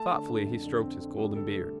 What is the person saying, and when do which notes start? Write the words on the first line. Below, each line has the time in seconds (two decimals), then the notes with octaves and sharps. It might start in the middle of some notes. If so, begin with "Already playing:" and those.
Thoughtfully he stroked his golden beard.
Already playing: A3 A5
0.11 D3
0.28 D3
0.46 F2
0.64 D3
0.82 C4
0.99 D3
1.18 G3
1.36 D3 A4
1.53 A3